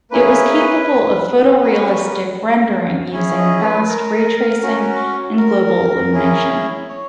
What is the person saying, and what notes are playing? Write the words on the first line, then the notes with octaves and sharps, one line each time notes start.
It was capable of photorealistic rendering using fast ray tracing and global illumination.
A#3 C#4 E4 G#4 B4
A#3 C#4 F#4 B4
A#4
C#4 E4 G#4 C#5
D#5
B4
A#4
C#4 F#4
A#4
C#4 E4 G#4
C#5